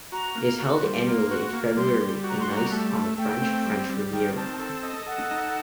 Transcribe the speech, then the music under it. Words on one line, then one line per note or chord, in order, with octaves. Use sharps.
It is held annually in February in Nice on the French Riviera.
F#4 A#5
A#3
F#4
G3 C6
A#3
F#4
A#3
G3 C6
G3
F#4
A#5
C6
G3
A#5
A3 A5
A3
A3 G5
C4
G3
G3
D#3 G5
C4 A5
A4 A5
D#5
A4 F#5
D#4